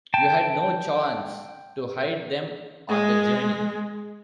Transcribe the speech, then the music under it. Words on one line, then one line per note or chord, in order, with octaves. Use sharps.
You had no chance to hide them on the journey.
G5 A5
G#3